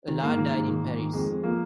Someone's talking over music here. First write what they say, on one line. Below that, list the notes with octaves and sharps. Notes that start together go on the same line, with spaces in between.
Alard died in Paris.
D#3
G#2 A#3
D#3
G#2
D#3
G#2
D#3
F2 G#3
F2
F3 A#3